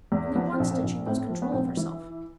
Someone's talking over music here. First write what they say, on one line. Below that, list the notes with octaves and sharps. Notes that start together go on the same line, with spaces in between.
Only once did she lose control of herself.
E2
F3 B3
C4
A#1
C4
A#1
A2 C4
F3
B3
A#1 C4
B3
E3